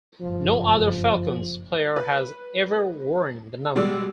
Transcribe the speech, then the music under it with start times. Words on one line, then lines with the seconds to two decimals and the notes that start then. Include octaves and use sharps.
No other Falcons player has ever worn the number.
0.21 F#1 G2 B2 F3
1.96 B4
3.75 B2 G3 G#3 D5 E6